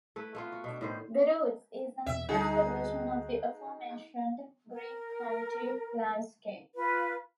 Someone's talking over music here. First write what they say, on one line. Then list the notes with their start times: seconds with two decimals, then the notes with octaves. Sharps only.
"The roots" is an expanded version of the aforementioned Greek country landscape.
0.16 A3 E4 B4
0.35 A3 B3 F4
0.52 F#4
0.64 B2 D4
0.81 A2 D#3 C5
2.06 E2 B2 E3 E5
2.29 D2 G3 D#4 F#4 G#4 A4
4.73 A#4
6.75 F4 B4